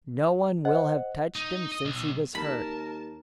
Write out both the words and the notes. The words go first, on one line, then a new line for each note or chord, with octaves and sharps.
No one will have touched him since he was hurt.
C5 D#5 F#5
D#4
D#5
B1
D#2 A#4 A5 B5